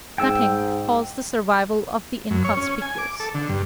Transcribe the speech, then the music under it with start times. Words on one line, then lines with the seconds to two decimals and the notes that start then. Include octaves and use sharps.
Nutting calls the survival of the inconspicuous.
0.18 G#2 G5 E6
2.31 F#2
2.44 C#5
2.57 C#4
2.82 G#5
2.98 D6
3.20 A4
3.34 D3
3.49 G2